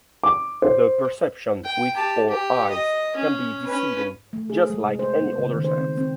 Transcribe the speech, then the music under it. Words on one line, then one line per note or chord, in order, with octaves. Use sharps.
The perception with our eyes can be deceiving just like any other sense.
D6
C5
G5
G4 A5
G4
D#5
C#4
C#4 B4
A3
G#4
G#3
C3
C5
B3
C#3
D#3
C5
C4
C4